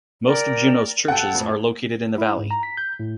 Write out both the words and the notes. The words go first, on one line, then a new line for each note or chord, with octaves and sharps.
Most of Juneau's churches are located in the Valley.
A#4 D5 G5
A4 F#5 G5
F2 A2
E4
G#2
A#5
B6
G6
A2